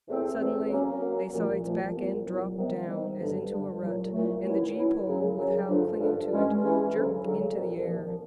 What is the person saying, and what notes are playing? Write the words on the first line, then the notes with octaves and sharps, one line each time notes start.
Suddenly, they saw its back end drop down, as into a rut, and the gee-pole, with Hal clinging to it, jerk into the air.
E2 C3 E3 A3 C4
E2 C3 E3 A3 C4
F#3 A#3 C#4
F#3 A#3 C#4
C2 A#2 F3 A3
C2 A#2 F3 A3
C2 A#2 F#3 B3
C2 A#2 F#3 B3
C3 D#3 G3 B3
C3 D#3 G3 B3
G2 D3 G3
G2 D3 G3
C2 A#2 F#3 A3
C2 A#2 F#3 A3
F#2 D#3 F#3 B3 E4
F#2 D#3 F#3 B3 E4
F#2 C#3 F#3
F#2 C#3 F#3
G2 D3 F3 A3 D4
G2 D3 F3 A3 D4
G2 E3 G#3 C#4
G2 E3 G#3 C#4
D2 C#3 F#3
D2 C#3 F#3
C2 A#2 F3
C2 A#2 F3